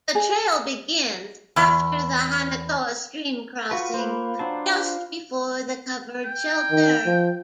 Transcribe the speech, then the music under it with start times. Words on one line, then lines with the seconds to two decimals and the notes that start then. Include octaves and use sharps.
The trail begins after the Hanakoa stream crossing, just before the covered shelter.
0.15 G#4
1.56 E2
3.71 F4 F#4 B4 C#6
3.94 A#3 B4 C5
4.39 F#3 D4 C5 A5
4.69 F4
6.25 G5
6.71 D#3
7.05 F3